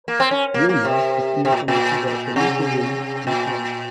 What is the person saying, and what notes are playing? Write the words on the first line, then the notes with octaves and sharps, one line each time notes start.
Willmarth appeared on the cover of The Linking Ring three times.
A#3
C4
C#4
A#3
A#3
C3
C3
A#2
A#2
C3
A#2